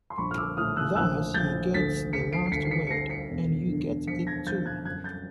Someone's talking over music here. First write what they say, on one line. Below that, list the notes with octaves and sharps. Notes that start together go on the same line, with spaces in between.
Thus he gets the last word; and you get it too.
C6
A#1 B5 C#6
F6
D6 E6
A2 D#6 F6
E6 F#6
A#1 E6 F#6
A#1 G6 A6
D2 A6 B6
D2 B6 C#7
C7 D7
C7
D2 B6 C#7
C7
B6 C#7
C#7
D2 A#6 C7
B6 C#7
E1
D3
F3 B6 C#7
G#6 A#6
F3 G6 A6
F#6 G#6
F#2 F#6 G#6
G6 A6